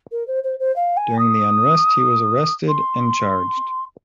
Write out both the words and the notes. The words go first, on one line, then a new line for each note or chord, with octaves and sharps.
During the unrest he was arrested and charged.
A#4
C5
C5
C5
F5
G#5
D#6
C6